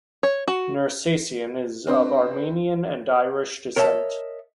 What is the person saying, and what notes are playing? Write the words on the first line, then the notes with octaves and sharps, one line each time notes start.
Nersesian is of Armenian and Irish descent.
C#5
F#4
C4 D4 B4 C5
A#4 C#5 D#5 E5 A5